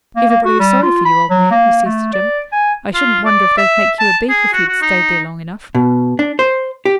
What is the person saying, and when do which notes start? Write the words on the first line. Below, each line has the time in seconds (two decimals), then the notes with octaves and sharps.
Everybody is sorry for you, old man,' he says to Jim. 'I shouldn't wonder if they'd make you a beak if you'd stayed there long enough.
0.16 A#3
0.29 A#3
0.45 F#4
0.60 G3
0.83 F4
1.05 B5
1.30 F#3
1.51 A#3
1.86 A3
2.13 D5
2.52 G#5
2.94 F4
3.26 D5
3.57 E5
3.99 A5
4.29 G#4
4.53 F#4
4.68 F#4
4.82 D#4
5.75 B2
6.19 D4
6.39 C5
6.85 G4